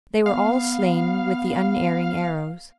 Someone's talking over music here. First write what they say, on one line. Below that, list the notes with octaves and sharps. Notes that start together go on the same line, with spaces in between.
They were all slain with the unerring arrows.
B3 F5